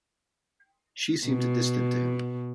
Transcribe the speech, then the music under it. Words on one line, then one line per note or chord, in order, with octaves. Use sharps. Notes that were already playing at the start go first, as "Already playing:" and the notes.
She seemed distant to him.
B2